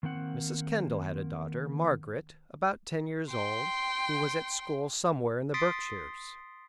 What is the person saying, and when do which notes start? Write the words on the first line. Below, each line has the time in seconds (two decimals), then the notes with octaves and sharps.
Mrs. Kendall had a daughter, Margaret, about ten years old, who was at school somewhere in the Berkshires.
0.03 D#3 A#3 C4 F#5
3.30 G5 C6
5.54 C6 D#6 A6 B6 C7 D7